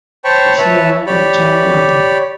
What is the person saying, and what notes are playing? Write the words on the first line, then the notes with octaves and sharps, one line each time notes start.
She had a child with him.
C5 C#5 G5 A5 B5 C#6
B4 C#5 E5 A5
G4 C#5 D5 B5